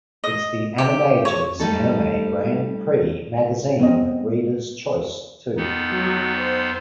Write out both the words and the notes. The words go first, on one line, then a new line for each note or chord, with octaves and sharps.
It's the Animage's Anime Grand Prix Magazine Reader's Choice too.
D#5
G4
C#5
G3 A3 D#4 A4
B3 C4 D#5
F2 B3 D#4
F#3
C5